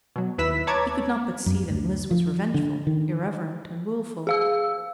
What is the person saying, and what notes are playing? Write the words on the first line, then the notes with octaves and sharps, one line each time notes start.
He could not but see that Mliss was revengeful, irreverent, and willful.
B2 F#3
D#2 E4 B4 E6 B6
B4 C#5 A5 A#5 D6 G#6
F#2
D2
F3
D3
D#3
G#4 F5 E6